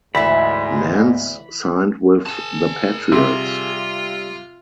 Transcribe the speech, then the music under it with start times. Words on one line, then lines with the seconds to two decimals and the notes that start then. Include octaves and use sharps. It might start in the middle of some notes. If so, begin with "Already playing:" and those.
Nance signed with the Patriots.
0.15 D2 G#2 E3 E4 B5
2.26 G#4 A5
3.12 C3 G3 F4